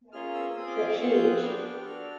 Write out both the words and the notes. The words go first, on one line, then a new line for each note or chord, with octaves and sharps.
The huge.
A#3 C#4 F4 G#4 F6
E6
E6
C4 F4 G#4 D#6
D6
D6
D6
C4 F4 G#4 C#6
G6
F#6
B3 D4 G4 F6
D4 F#4 A4